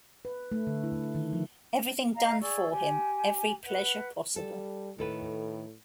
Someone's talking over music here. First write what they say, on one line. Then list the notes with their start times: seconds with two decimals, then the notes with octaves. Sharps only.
Everything done for him, every pleasure possible.
0.25 B4
0.52 A3
0.67 D3
0.84 E4
1.15 D#3
1.33 F3
2.15 D#5 F5 A#5
2.40 G#4 D5 C#6 E6
2.69 G4 G#5
3.63 B4 F#5
4.36 G3 A4
4.98 A2 D#3 A4 B4